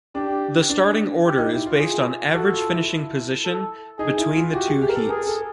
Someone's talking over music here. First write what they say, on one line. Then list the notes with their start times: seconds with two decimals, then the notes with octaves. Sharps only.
The starting order is based on average finishing position between the two heats.
0.15 D4 G4
0.70 D4
1.25 G4
1.38 D#4
1.52 E4
1.66 F4
1.79 G#4
2.34 F#4 A4
2.53 F4
2.71 E4
3.45 A4
3.99 D#4 G#4
4.17 E4
4.36 F4
4.54 F#4 G4
4.68 G#4
4.82 G4
4.89 A#4
4.95 A4
5.09 G#4 A#4
5.27 A4